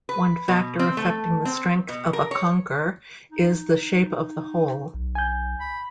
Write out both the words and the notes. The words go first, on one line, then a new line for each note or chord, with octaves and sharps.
One factor affecting the strength of a conker is the shape of the hole.
B4
B2
C4
A3
C4
B2
A#4
C#5
D#4
B1
G#5 G6
B5